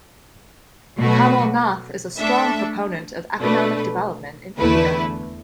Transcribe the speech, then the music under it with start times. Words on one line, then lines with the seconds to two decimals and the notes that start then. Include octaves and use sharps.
Kamal Nath is a strong proponent of economic development in India.
0.98 B2 F#3 A3 F#4 B4
2.18 A3 D4 A4 E5
3.39 B2 A3 D4 B4
4.58 E2 D3 A3 E4 B4